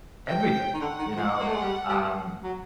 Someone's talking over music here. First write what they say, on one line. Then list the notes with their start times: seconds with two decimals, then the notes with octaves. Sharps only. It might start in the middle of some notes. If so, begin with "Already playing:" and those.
everything, you know? Um,
0.27 G5
0.74 D#3
0.81 D3 F#5
0.99 D#3
1.16 F3
1.40 A#3
1.47 A3
1.55 G#3
1.62 G3
1.89 G3
2.43 F#3